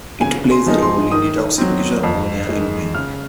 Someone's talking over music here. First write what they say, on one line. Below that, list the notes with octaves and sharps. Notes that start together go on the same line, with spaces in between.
It plays a role in detoxification of ammonia in brain.
C#3 G#5
C6
F3 G#3 D#4
C6
D#3 D#6
F#3 C4
F2
D#3 G#3
C#3 F6